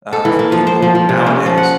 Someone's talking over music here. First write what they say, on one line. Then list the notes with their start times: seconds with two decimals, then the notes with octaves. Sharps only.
uh, for people nowadays.
0.13 A4
0.25 E3
0.39 A#3
0.52 F3
0.67 C5
0.82 F3
0.95 F3
1.09 C3
1.26 C#4
1.46 F3
1.58 F#5